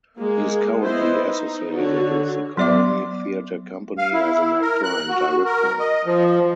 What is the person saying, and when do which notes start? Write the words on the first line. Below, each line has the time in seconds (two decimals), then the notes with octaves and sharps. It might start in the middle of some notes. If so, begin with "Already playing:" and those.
He is currently associated with the Colony Theatre Company as an actor and director.
0.18 G#3 A#3
0.82 B3 E4 C5 D#5
1.19 D#4
1.74 D3 F#4 C#5
2.57 F#3 B3 D5 E5 D6
3.98 F5
4.13 E4
4.62 A#4
4.84 F#6
5.09 F#4
5.45 A#4
5.79 D#5
6.06 F3